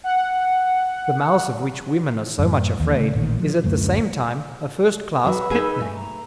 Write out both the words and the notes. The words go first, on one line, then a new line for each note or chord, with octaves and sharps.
The mouse of which women are so much afraid, is at the same time a first class pet name.
F#5
F#2 A2
D#2 E3
C#3 A3
A1 A#2 D#3
F3
D1 F#2 D3 A3
F#3 F#4 B4 B5 E6
D#4 G#4
A3 G#5
A#5